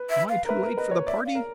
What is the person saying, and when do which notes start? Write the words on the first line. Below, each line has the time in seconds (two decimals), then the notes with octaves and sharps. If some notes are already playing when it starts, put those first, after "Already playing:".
"Am I too late for the party?"
Already playing: B4
0.10 E5
0.29 F5
0.45 A#4
0.48 B4 E5
0.63 A#4
0.77 B4 D#5
0.91 C#5
1.07 D5 E5
1.26 F5
1.35 A#4